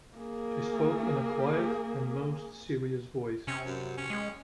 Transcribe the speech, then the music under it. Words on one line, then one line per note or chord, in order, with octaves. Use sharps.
She spoke in a quiet and most serious voice.
A#3 G#4
C3 C#4
F#2
C#4
G#3